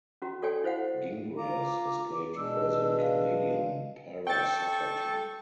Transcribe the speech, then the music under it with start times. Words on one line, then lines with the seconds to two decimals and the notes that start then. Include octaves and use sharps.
Gingras has played for the Canadian Para Soccer Team.
0.22 C#4 F#4 A#5
0.42 F#4 A4 C#5 D5 G5 G#5
0.64 E4 C5 F5 F#5
1.37 F4 A#5 D6
2.36 B2 G#3 D4 E6
3.01 F5
4.27 A4 G5 C#6 A6